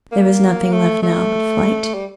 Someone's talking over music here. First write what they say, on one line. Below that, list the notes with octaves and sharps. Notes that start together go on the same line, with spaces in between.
There was nothing left now but flight.
A#3
A3
A3
G3